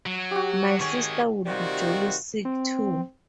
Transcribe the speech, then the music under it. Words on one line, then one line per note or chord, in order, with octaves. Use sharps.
My sister would be jolly sick, too.
F#3
F#4 G4
D#3 G#4 C#5
C3 D#3 G3 F4 F#4
C4